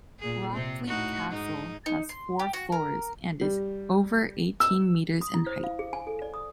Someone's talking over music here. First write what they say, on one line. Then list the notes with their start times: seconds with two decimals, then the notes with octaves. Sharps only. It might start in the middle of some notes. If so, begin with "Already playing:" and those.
Rockfleet Castle has four floors and is over eighteen metres in height.
0.19 A#2 G#4
0.52 C3 C4
0.87 A2 D#4 F#4
1.29 G#2 D#4
1.86 D#4
2.09 C6
2.39 G4
2.53 F#4
2.72 A#4
3.41 G3
4.60 E6
5.21 D#6
5.34 E4
5.47 C5
5.64 F5
5.79 G#4
5.93 G#5
6.07 A4
6.22 D5
6.34 D#6